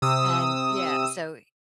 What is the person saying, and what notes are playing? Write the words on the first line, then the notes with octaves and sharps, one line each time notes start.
And yeah, so
C3 D#6 E6